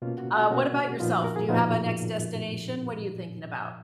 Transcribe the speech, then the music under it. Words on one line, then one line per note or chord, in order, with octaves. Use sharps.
Uh, what about yourself? Do you have a next destination? What are you thinking about?
B2 A#3 C#4 F4
F#4
F#4
B2 A#3 C#4 F#4
A#2 F3 B3 D#4 F4
F#4
A#4
G#4
A#2 F3 B3 D#4 F4